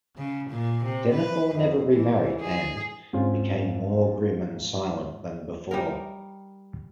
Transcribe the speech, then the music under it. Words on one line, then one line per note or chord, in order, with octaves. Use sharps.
Denethor never remarried, and "became more grim and silent than before".
C#3
A#2
C3
B4
F2
E3
G#4
G#2 C4 C#4 F4
G3 D#4 A#4